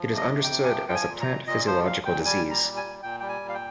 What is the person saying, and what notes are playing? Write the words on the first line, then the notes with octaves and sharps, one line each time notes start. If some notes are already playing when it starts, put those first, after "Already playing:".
It is understood as a plant physiological disease.
Already playing: F3
C3
D#5
F2
G5
C3
G#5
F3 G5
F3 G5
G#5
A#2
A#5
A#2
A#2 D#5
F3 C5
A#2 F5
A#2 G5
G3 G#5
A#2
A#5
G3
G#5
A#2
A#2 G5
G3 G5
G#5
A#2
F5
G5